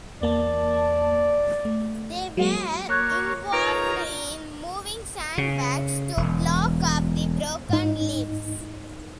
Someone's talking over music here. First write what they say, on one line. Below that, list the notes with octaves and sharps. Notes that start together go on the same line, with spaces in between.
They were involved in moving sand bags to block up the broken levees.
E2 A#3 D5 A5
A3
F#3 G#3 A#3
A#3 C#5 C#6 F#6 G#6
D#4 F4 A#4 B4 C#5 A#5 D7
C#3
E1
G#2 D#4